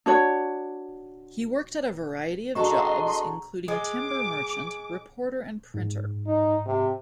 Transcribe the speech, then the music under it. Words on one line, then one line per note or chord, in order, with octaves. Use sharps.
He worked at a variety of jobs, including timber merchant, reporter and printer.
D4 F#4 C#5
D4 F#4 G#4 A4 D#5 A#5 C6 C#6
G#3 D6
G#2
D#4
C3